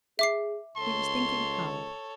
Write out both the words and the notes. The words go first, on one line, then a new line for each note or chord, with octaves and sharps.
He was thinking hard.
G#4 E5 D6 C7
C#2 A4 C#5 C6